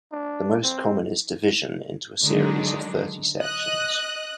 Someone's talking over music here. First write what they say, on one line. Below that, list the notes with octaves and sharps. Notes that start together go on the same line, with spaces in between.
The most common is division into a series of thirty sections.
D4
C4
D3 D#3 F#3 G#3 D4 D#4
D#5 D#6 F#6